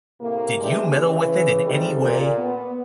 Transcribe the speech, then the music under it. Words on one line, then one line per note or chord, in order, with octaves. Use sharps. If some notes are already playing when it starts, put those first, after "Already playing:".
Did you meddle with it in any way?
A2 C3 A#3
C#3 E3 G#3 D4 G4
C#3 E3
G#2 C3 D#3 G3 A4
A#2
B3